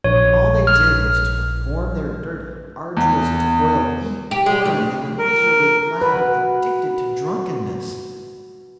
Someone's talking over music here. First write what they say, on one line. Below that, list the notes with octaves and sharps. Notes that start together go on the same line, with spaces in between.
All they did was to perform their dirty, arduous toil, eat poorly; they were miserably clad, addicted to drunkenness.
A#1 C#5
F6
E2
G4
G#3
D2
A#4
B2 B4